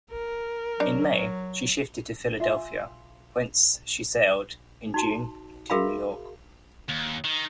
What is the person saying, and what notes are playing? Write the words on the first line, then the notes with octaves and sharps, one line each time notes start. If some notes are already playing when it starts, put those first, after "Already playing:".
In May, she shifted to Philadelphia, whence she sailed, in June, to New York.
A#4
F#3 D4 D#4
F4 E5 G#5
D#4 F#4 A5
F#4 G#4 A#4 E5 F5 B5
D#2
D#3